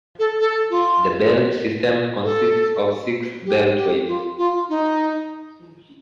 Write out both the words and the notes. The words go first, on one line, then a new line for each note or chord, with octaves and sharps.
The Belt System consists of six beltways.
A4
A4
F4
A4
G4
G4
F4
F4
D#4